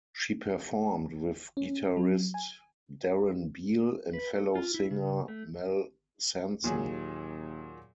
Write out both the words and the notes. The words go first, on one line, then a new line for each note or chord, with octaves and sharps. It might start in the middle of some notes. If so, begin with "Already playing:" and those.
She performed with guitarist Darren Beale and fellow singer Mel Sanson.
C#4
F#3
G#5
B4
A4
F4
E4
C#3
A3
D#2 A#2 F#3 G#4